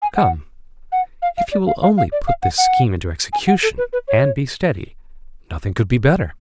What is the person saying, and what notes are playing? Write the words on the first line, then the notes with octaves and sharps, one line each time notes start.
"Come, if you will only put this scheme into execution, and be steady, nothing could be better."
G#5
F#5
F#5
F5
F5
D5
F5
F5
F5
D5
F5
F#5
F#5
G#5
F#5
A4
B4
B4
C#5